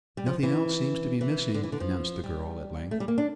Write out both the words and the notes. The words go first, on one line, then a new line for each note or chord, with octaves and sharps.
"Nothing else seems to be missing," announced the girl, at length.
G3
F3
E3
E3
D3
E3
D3
F3
G3
A3
G3
A#3
D4